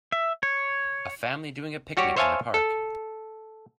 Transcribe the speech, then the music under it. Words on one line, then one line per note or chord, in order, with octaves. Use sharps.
A family doing a picnic in the park.
E5
C#5
G3 F#4 G4 C#5
C5 C#5 E5 F5 G#5 A5
A4